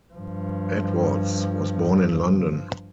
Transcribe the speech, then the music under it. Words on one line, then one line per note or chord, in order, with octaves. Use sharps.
Edwards was born in London.
G2 F3